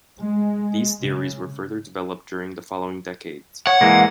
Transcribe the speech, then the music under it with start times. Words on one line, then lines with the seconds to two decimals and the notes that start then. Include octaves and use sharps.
These theories were further developed during the following decades.
0.19 G#3
1.01 C#3
3.67 C#5 F#5
3.81 E3 G#3 A#3